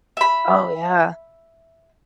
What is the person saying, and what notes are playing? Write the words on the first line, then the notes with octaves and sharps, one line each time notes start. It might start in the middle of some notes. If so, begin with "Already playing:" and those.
Oh, yeah.
E5 B5